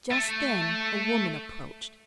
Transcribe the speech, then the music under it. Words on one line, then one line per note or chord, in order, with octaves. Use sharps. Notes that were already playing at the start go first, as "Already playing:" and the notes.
Just then a woman approached.
A3